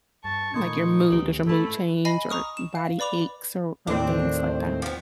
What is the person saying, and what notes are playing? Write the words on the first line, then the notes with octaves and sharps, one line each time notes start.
Like your mood, does your mood change or body aches or or things like that?
G2 A5 C#6
A#2 D#3 A3 D#4 B5 C6 G#6
D2 D#3 C#4 G4 B4
G#2 A3 E4 A5 B5
D#5 G#5 B5 A#6 C7
A#5 C#6 D#6 F6
E7
F5
B4 D5 B5 D6 F7
D#2 A2 C4 D4
F3 B3